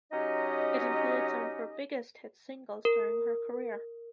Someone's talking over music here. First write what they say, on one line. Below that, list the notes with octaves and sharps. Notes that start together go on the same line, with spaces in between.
It included some of her biggest hit singles during her career.
F#3 C#4 D#4 G4 D#5
A#4